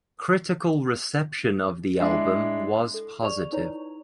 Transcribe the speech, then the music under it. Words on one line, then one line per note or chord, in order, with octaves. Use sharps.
Critical reception of the album was positive.
G#3 D4 E4
A4
G#4 D5 C#6 F7
D#4 E4 B4 C#5 D5 A#5